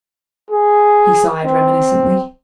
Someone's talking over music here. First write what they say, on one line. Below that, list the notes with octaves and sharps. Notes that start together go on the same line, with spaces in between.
He sighed reminiscently.
G#4
C4